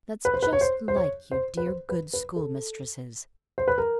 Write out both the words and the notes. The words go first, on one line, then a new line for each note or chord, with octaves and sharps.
That's just like you dear good schoolmistresses!
B4
C5
B4
C#5
C5
C5
C#5
C5
B4
C5
B4
B4
A4
C5
B4
A#4